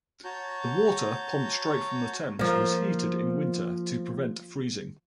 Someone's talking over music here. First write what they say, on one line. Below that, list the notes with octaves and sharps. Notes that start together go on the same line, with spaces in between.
The water, pumped straight from the Thames, was heated in winter to prevent freezing.
F#4 C#5 A5 A#5 G6
F3 A#3